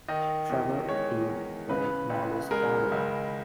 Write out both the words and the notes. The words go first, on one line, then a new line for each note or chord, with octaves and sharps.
Trevor Eve played Molly's father.
D#3 D#5
E2
G#3 C#5
E2
C#3 B4
C#2
G#3 A#4
C#2